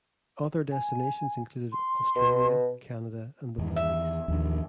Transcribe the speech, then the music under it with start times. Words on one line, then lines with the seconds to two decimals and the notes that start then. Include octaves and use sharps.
Other destinations included Australia, Canada, and the Middle East.
0.72 G#5
1.72 C6
2.16 B2
3.58 E2 D#3 E3
3.76 E5
4.28 A1 D#2 F3 D4